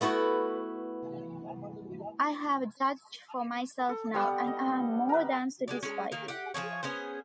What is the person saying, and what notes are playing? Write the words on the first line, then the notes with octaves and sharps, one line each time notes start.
I have judged for myself now, and am more than satisfied.
A3 B3 E4 F#4 B4
A4
G3 B3 G4 F#5
D#5
A#4 B4
G#3 G4 D5
G#3 C#4
D#3 A#3
G4 F#5
F3 G3 G#4 C#5
B3 C#4 G#4 C5